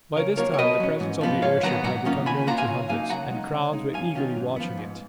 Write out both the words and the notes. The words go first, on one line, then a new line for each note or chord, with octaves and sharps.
By this time the presence of the airship had become known to hundreds, and crowds were eagerly watching it.
C#3 A#4 C#5
F#3 A#3 F4 A#4 C#5
C#5
B2 B4 D#5
F#3 C#4
G#2
F3 B3 F4
G#2 C#5 F5
D#3 F#3 B3 F#5 A#5
G#2 F#5 A#5
D#3 A#3 C#4 F4
D#3 G#5 B5
A#3 F4 F#5 A#5
F5 G#5
C#3
F#3 A#3 D#4 F5 G#5
C#3 F#5 A#5
G#3 D#4
C#3
G#3 D#4
F#2 F5 G#5
D#3 F#3 C#4 F4
G#2
F3 B3
G#2